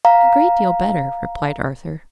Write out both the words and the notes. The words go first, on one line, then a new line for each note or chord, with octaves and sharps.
"A great deal better," replied Arthur.
F5 A#5